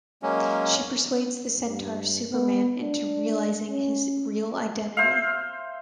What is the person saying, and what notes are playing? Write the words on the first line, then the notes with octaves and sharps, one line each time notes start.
She persuades the centaur Superman into realizing his real identity.
F#3 G#3 A#3 C#4
G2
B3
D4
C#4
C5 E5 F5